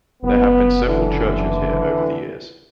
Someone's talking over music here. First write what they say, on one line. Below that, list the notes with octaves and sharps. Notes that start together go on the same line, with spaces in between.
There have been several churches here over the years.
F#1 B3
D3 E3